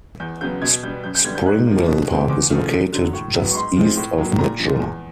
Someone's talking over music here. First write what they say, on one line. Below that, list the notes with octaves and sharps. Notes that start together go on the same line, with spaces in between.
Spring Mill State Park is located just east of Mitchell.
E2 G6
C#3 F#3 B3 G6
B2 G#6
G3 B3 G6
F#2 G6
G6
D3 G3 B3 G#6
G6
G#2 F#6
F3 A#3
B2
G#3 C4
E2 D6
C#3 F3 A3
F#2
D3 F#3
A2 C#6
F#3 B3
C#6
G#2 C6
F3 G#3 C4
A2
F#3 A#3
A#2 A#5
F3 G#3
E2